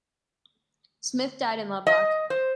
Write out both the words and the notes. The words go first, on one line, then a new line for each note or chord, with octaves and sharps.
Smith died in Lubbock.
D#5
C5